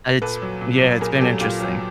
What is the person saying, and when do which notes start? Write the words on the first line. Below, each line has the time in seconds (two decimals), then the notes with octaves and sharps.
it's yeah, it's been interesting.
0.22 A#2 A4 B4
0.42 F#3
0.61 A#2
0.81 F#3
1.01 A#2 G#4 A#4
1.21 F#3 G4 A4
1.40 A#2 F4 G4
1.60 F#3